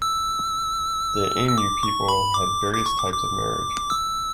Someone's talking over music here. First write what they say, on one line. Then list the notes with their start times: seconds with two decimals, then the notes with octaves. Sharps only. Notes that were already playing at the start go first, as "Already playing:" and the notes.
The Ainu people had various types of marriage.
0.02 E6
1.48 E6
1.58 D6
1.83 C#6
2.08 B5
2.34 D6
2.73 D6
2.86 C#6
2.98 D6
3.13 D6
3.90 E6